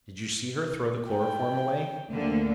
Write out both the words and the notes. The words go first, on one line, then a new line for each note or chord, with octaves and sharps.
"Did you see her throw the chloroform away?"
G5
D2 D3 A#3